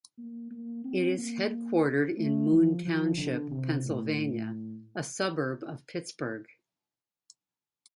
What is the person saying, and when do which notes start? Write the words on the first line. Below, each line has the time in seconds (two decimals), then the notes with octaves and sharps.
It is headquartered in Moon Township, Pennsylvania, a suburb of Pittsburgh.
0.18 A#3
0.51 A#3
0.84 C4
1.18 A#3
2.17 A3
2.51 F3
2.85 F3
3.17 D3
3.51 C3
3.85 A2